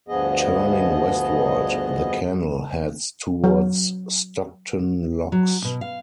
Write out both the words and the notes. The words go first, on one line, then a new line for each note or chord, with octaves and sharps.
Turning westward, the canal heads towards Stockton locks.
D2 G2 F3 B3 G#4 D#5
F#3
F#3
B2
F5